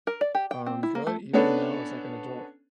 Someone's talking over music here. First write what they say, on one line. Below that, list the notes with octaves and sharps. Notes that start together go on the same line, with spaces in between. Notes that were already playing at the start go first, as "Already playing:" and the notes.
um, good even now as, like, an adult."
A#4
D5
G4
G5
C4
E4
A#3
A3
B3 C#4 D4 A4 B4